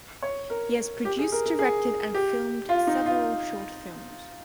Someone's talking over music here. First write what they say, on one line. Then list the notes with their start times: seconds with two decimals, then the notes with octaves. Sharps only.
He has produced, directed, and filmed several short films.
0.22 C#5
0.50 A#4
1.05 G4
1.19 G#4
1.32 A#4
1.46 A#4
1.59 G#4
2.14 G4
2.69 F4
2.87 D#4
3.06 F4